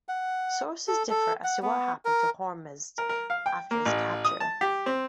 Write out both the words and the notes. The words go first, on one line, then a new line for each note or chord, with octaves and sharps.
Sources differ as to what happened to Hormizd after his capture.
F#5
A4
A4
F#5
B3
A#4
A#4
A#4
F5
G5
A#3
A1
D#6
A5
G4
C4